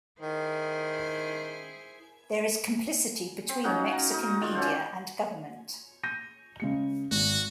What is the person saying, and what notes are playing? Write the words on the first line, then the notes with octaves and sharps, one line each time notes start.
There is complicity between Mexican media and government.
D#3 E4 G#4 C5
C4
C#4 D#4 F#4 F5
A#5
D#4 A#5
D#3 F4 D5 F5
C#4 F#4 A4 C5
G6 A#6 D#7
C#3 G#3 C#7
G#1 F#4